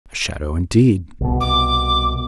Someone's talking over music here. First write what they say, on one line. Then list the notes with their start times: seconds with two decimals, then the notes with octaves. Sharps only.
A shadow indeed!
1.21 C2 B2
1.41 D6